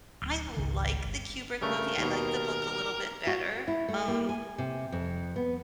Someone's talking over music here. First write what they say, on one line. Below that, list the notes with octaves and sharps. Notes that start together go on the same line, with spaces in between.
I like the Kubrick movie, I like the book a little bit better, um
D1
G#1 C#2 D#3
G1
G2 C#3 A3 A#4
D#2 B2
F#4
E4
A3
A#3
G#5
C3
F2
B3